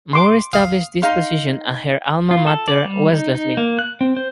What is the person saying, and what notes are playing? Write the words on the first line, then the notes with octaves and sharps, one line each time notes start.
Moore established this position at her alma mater Wellesley.
C6 D6
F5 D#6
D#4 F5 C6
F4
A4
D5
G3
D#4
D#4
A#3
F#6
C4
C5